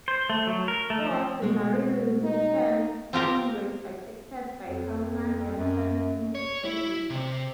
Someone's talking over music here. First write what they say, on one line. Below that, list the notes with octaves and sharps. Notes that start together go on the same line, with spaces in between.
Four of the marine lieutenant's comrades are captured by Hellman and turned into zombies.
C5
A3
F#3
A#4
A3
F3
B2 G#3
D#4
C4 F4 G4 A#4
F2
F#2
C#5
E4
C3